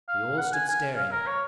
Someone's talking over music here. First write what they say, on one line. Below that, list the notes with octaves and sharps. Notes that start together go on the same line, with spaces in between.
We all stood staring.
F5
F#5
G#5
G#5
F5
A#4
C#5